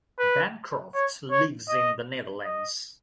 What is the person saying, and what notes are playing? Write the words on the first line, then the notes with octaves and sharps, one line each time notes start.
Bancroft lives in the Netherlands.
B4
C#5
C#5
D#5
D#5